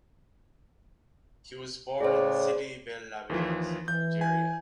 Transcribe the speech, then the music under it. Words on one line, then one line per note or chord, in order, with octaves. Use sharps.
He was born in Sidi bel Abbes in Algeria.
A2 C#3 G#4 C5 D5
D#2 E3 F3
E3 G6
G#5